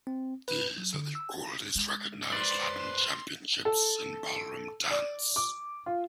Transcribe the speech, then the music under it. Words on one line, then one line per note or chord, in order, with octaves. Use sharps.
These are the oldest recognised Latin championships in ballroom dance.
C4
B4
F#3
D3
E6
G#3
B4 C5 D5 C6
A4
D5
D6
F4